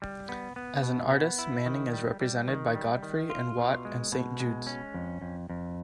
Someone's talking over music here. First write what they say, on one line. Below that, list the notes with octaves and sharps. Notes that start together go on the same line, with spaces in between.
As an artist Manning is represented by Godfrey and Watt, and Saint Judes.
G3
B3
B3
B2
B3
E4
D#3
G3
G3
D#3
G3
D#3
F4
B2
G#3
B2
G#3
C#4
F2
F2
F2